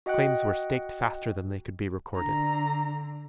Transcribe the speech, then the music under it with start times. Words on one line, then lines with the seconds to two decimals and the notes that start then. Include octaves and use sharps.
Claims were staked faster than they could be recorded.
0.06 F#4 D#5 F#5 G5 F#6
2.15 D3 A#5